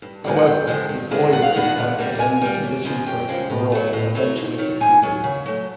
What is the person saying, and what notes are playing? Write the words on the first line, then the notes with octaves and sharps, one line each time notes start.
However, his lawyers' attempt to end the conditions for his parole eventually succeeded.
G2
D3 F3 G#3
F#5
G2 G5
D3 F3 G#3
G2
D#3 G#3 B3 D4
G2 F#5
F5
D#3 G#3 B3 D4 F#5
A#2
G3 A#3
A#2 G#5
G3 A#3
F#2
C#3 F3 G#3
F#2 G5
C#3 F3 G#3
A2
F#3 A3
A2
F#3 A3
G#2
D#3 F#3
G#2 G#5
D#3 F#3
C#3
F#3 A3